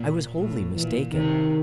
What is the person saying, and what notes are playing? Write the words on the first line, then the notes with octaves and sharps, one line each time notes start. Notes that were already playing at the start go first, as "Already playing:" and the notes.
I was wholly mistaken.
Already playing: A#2
A2
A#2 E3
C3 D#3